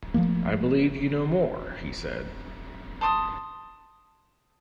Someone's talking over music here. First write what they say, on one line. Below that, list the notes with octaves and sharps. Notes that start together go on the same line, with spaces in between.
"I believe you know more," he said.
F3 F#3 A3 A#3
A5 C6 D6 D#6